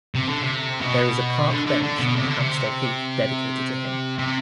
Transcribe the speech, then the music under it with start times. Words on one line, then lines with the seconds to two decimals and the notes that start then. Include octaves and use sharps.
There is a park bench on Hampstead Heath dedicated to him.
0.15 C3
0.28 D3
0.42 C3
0.81 B2
1.49 D3
1.66 D3
1.82 D3
1.99 B2
2.16 C3
2.27 D3
2.39 C3
4.19 C3